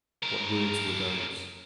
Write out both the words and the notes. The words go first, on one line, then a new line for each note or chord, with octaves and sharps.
What words were those?
C#3 A#4